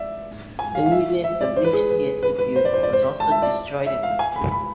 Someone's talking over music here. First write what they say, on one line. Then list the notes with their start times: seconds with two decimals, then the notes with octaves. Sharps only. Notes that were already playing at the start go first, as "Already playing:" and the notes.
The newly established theater building was also destroyed in the fire.
Already playing: D5 E5
0.59 G#5
0.75 F5
0.86 F5
0.91 E5
1.24 E5
1.41 D5
1.56 C5
1.65 B4
1.73 G#4
1.90 B4
2.23 B4
2.39 B4
2.56 C5
2.65 D5
2.73 C5
2.83 D5
2.93 C5
3.20 A5
3.31 E5
3.42 D5
3.86 E5
4.03 F5
4.19 G#5
4.36 B5
4.51 B5